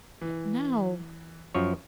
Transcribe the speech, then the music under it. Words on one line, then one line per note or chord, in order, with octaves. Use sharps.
But now!
E3
F#2 F3 C#5